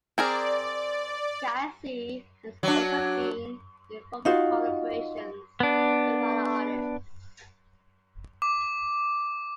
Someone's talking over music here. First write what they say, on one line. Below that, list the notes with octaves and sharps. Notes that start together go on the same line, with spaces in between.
Skazi has also been involved in collaborations with other artists.
C4 G#4 A#4 D5
F#3 D4
D#4 F4 F#4
B3 D4
D6